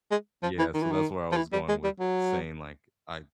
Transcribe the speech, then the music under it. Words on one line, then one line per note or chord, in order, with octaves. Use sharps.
Yeah, so that's where I was going with saying, like, I
G#3
F3
E3
D#3
E3
D#3
F3
E3
G3
G#3
G3
F#3